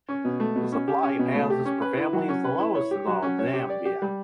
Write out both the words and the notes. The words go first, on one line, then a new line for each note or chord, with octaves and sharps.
The supply of houses per family is the lowest in all of Zambia.
C#4
B2
A3
B2
C#4
G4
C#4
B2
A3
G4
C#4
B4
E4
F#3
C#4
B4
E4
C#5
G4
F#3
C#4
C#5
G4
D5
G4
G3